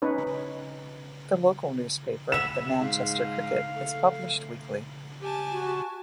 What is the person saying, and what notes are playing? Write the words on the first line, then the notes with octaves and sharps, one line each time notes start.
The local newspaper, "The Manchester Cricket", is published weekly.
C#4 D#4 B4 C#5
E5 F#5 B5 E7
G#2 F5
A3
G4 G#5 A5
F#4